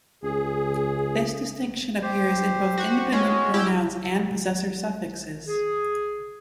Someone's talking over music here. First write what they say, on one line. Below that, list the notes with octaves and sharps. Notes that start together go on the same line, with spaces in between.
This distinction appears in both independent pronouns and possessor suffixes.
C#2 G#4
G4 C5
F#4
G#3 C#4 F#4 C#5
E4 G4
G#4